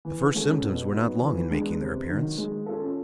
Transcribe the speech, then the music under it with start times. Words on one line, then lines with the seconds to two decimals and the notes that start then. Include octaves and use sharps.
The first symptoms were not long in making their appearance.
0.05 E3
0.34 G#3 C#4 F#4 A4
0.63 B2
0.92 F#3 B3 D#4
1.21 E3
1.50 G#3 B3 D4
1.80 C3
2.09 D#3 F#3
2.38 G#3
2.66 C#4 F4 A4